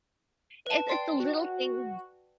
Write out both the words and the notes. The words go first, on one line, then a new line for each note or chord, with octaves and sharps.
It's it's the little things
B4 A5
D5 G5 C6
F#4